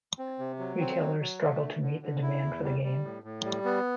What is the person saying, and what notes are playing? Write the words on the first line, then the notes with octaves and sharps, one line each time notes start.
Retailers struggled to meet the demand for the game.
C4
C3
F#3
C4
F#3
F#3
A3
D3
D3
D3
E4
E2
G3
G3
A2
A2
G3
B3